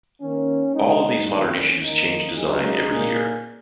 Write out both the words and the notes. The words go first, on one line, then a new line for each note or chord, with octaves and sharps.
All of these modern issues changed design every year.
D#3 A#3 C#4
C#3 G#3 D#4
D#3 A#3 C#4
D#3 A#3 D#4
C#3 F#3 A#3 D#4 G#4
A#2 A#3